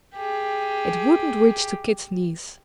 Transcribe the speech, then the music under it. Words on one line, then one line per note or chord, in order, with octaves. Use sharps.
It wouldn't reach to Kit's knees.
G4 G#4